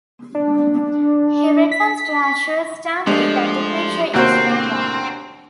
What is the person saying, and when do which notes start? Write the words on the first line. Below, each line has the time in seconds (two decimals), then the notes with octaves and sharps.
He returns to assure Stanley that the creature is no more.
0.35 D4
1.71 B6
3.07 F3 G#3 A3 D4 G4 G#4 D#5
4.14 D#2 A2 C3 A#3 C4 F#4 C5